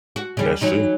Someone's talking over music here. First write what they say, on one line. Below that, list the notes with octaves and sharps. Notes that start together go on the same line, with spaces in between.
That's true.
F#4
C#3 G3
E3 F#3 D#4